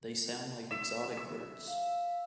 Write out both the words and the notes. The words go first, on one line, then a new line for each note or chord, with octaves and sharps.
They sound like exotic birds.
E5
E6
F5